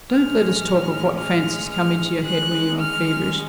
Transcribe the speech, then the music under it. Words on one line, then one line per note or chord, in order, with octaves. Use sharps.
'Don't let us talk of what fancies come into your head when you are feverish.
A2 E3 G#3 C#4 F6
F6
F6
D#3 G#3 C#4 F#6
F6